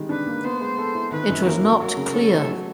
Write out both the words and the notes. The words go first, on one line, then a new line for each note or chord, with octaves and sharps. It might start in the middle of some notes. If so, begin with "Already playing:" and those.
It was not clear.
Already playing: D#3 G3 G#3
D4 B4
A#3
B3 C5
G#3
A4
E4
D#3 B4
F#2
A#3 A#4
F#3
F#3 A#4
C#3
C#4 A4
A3
F#3